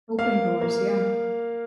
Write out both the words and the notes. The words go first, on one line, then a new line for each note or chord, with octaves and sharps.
Open doors, yeah.
A#3 F5
A#3